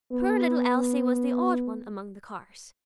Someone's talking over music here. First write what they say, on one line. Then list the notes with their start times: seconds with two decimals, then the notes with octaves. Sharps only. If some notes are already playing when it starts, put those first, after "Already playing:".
Poor little Elsie was the "odd one" among the Carrs.
0.12 B3